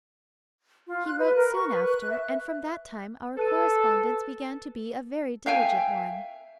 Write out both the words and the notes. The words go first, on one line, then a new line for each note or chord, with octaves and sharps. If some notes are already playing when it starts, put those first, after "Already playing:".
He wrote soon after, and from that time our correspondence began to be a very diligent one.
F4
F#6
B4
A#4
C#6
B4
F#6
E5
A4 B4 F#6 D#7
E5 F5 G5 G#5